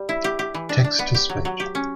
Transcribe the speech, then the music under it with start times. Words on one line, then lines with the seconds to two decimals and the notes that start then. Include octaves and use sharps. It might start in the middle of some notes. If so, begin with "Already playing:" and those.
Text to Speech.
Already playing: G3
0.09 E4
0.24 G4
0.39 G4
0.54 E3
0.69 D4
0.84 D4
0.99 B3
1.14 G4
1.29 F#3
1.45 F#3
1.60 G4
1.75 C#4